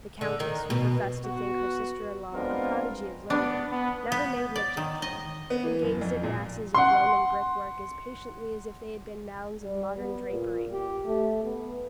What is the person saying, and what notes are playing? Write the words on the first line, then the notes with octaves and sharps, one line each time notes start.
The Countess, who professed to think her sister-in-law a prodigy of learning, never made an objection, and gazed at masses of Roman brickwork as patiently as if they had been mounds of modern drapery.
D3
D#3
B2
B3 F#4
G#3 B3 C4 D4 F4 A#4
B3 D4
B3
B3
D5
D#3
D#5
B3
E3
F#1
F2
A#2
F#5 C6
G3
B3
A#2
G4
A3
B3